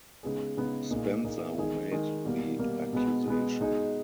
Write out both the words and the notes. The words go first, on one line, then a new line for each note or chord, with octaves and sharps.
Spencer, who made the accusation.
C#3 G#3 B3 D#4 G#4
C#3 G#3 B3 D#4 G#4
A#2 A#3 D#4 G#4
A#2 A#3 D#4 G#4
D#3 G#3 D#4 G#4
D#3 G#3 D#4 G#4
B2 G3 A#3
B2 G3 A#3
B2 G#3 B3
B2 G#3 B3
B2 G#3 D#4 G#4